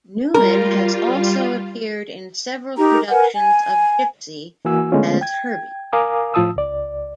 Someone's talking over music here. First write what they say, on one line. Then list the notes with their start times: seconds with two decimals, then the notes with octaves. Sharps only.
Newman has also appeared in several productions of "Gypsy" as Herbie.
0.34 G3 F4 A#4
2.76 D#4 G4 A#4 A#5
3.09 A#4 B4 F#5 G#5
3.34 G#5
4.65 E3 A#3 F#4 G#5 E6
4.92 D3 G#3 A3 B3 C#4 F4
5.21 G5 G#6
5.93 A#4 F5 G#5 A#5 D6 D#6
6.34 A2 F3 F4 A5 D#6 E6
6.56 C#2 D5